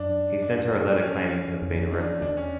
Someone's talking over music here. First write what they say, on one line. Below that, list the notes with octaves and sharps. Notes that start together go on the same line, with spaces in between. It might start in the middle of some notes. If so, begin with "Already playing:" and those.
He sent her a letter claiming to have been arrested.
Already playing: F#2 D4
D4
C#4
F2
D4
E2 D4
C#4